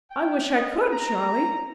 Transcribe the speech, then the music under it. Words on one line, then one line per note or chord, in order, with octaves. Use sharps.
'I wish I could, Charley!
G5
D#5
A#5